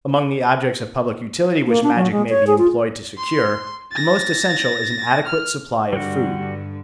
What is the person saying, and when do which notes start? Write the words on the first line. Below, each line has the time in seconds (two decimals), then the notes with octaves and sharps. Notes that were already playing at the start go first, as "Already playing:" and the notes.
Among the objects of public utility which magic may be employed to secure, the most essential is an adequate supply of food.
1.67 A#3
1.83 D4
1.96 F#3
2.12 G#3
2.29 C#5
2.47 G#4
2.58 F4
3.18 C6
3.92 A6 A#6
5.26 F6
5.93 G2 D3 G3 F#4